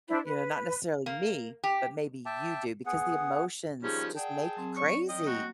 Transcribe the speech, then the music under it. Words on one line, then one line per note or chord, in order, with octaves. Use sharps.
you know, not necessarily me, but maybe you do because the emotions just make you crazy,
D4 E4 C5
B4
A#3
G4
E5 G5 A5 D6
B3 G#4 F#5
D#3 F3 G3 C#4 G#4
G#4 D5 F#5 G5 A5
F#3 C4
C#5 D5 C#6
D#5 G5 D#6
A#3 F#4